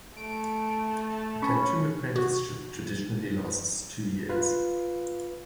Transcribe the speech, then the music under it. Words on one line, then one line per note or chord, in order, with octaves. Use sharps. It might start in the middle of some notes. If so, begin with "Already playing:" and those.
A tattoo apprenticeship traditionally lasts two years.
A3 D7
A5
C#4 B5 C#6
F#4
F4 B4 F5